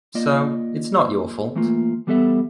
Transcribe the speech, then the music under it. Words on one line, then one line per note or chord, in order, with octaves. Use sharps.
So, it’s not your fault.
A#3 F4 D5 D#5
E3 A3 A#3 F4
E3 G3 B3 A4 D5 E5